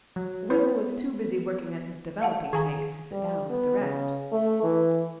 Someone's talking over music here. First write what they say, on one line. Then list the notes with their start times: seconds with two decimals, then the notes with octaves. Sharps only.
Will was too busy working at his developing tank to sit down with the rest.
0.16 F#3
0.50 B3 E4 B4 C#5
2.22 F5 F#5 A5
2.53 D#3 G#4 G#5 A#5
3.11 G3
3.50 B3
3.80 C#3
4.32 A3
4.63 E3